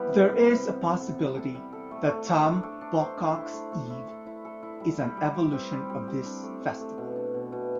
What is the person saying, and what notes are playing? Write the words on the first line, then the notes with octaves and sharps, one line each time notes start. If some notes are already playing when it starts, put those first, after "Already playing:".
There is a possibility that Tom Bawcock's Eve is an evolution of this festival.
Already playing: E3 G3 B3
C3
G3
G3
G3
A4
A4
G3
A4
G3
A4
A3
A3
A3
D4
A3
D4
C5
D4
E4
A3
A3
E4
A4
E4
A4
E4
G3
G3
G3
G4
C4
G3
G3
G4
D4
A3
D4
A3
B2
D4
B2
B2